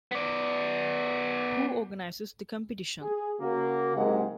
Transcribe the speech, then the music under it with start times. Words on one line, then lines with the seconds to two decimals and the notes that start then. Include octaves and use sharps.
Who organises the Competition?
0.11 B3 D5
3.02 G#4
3.40 C#3 A#3 F#4
3.95 F#1 G#2 C3 G#3 A#3 F#5